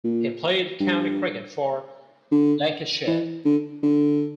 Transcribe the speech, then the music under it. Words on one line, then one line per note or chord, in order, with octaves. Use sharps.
He played County Cricket for Lancashire.
A#2
G2
D3
E3
D3
D3